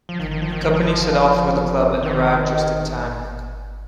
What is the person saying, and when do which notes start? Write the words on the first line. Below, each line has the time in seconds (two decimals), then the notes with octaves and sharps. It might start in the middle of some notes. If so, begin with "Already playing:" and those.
The company set off for the club and arrive just in time.
0.09 F3
0.20 D#3
0.31 D#3
0.42 F3
0.52 D#3
0.63 F3
0.74 F3
2.03 D#3